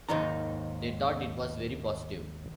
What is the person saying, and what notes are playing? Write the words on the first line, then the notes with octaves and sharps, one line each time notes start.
They thought it was very positive.
D#2 G#2 D#3 D#4 A#5